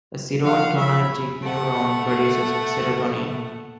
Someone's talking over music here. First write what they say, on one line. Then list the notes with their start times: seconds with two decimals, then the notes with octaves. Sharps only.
A serotonergic neuron "produces" serotonin.
0.44 F3 F5 F#5
0.76 E5 B5
1.42 A3 F#5